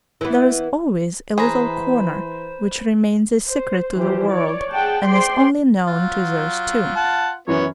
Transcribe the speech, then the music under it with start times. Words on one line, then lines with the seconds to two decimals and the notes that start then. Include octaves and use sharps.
There's always a little corner which remains a secret to the world and is only known to those two.
0.21 E3 B3
1.38 E3 G#4 B4 C5 A#5
3.50 C5
3.97 E3 F3 G4 C5
4.31 C#5 D5
4.71 G#4 F#5 G5 A5
5.06 G#4 C5 D5 G5 C6
5.87 F#3 F4
6.97 F#5 A5
7.47 F#2 E3 B3 C#4 C#5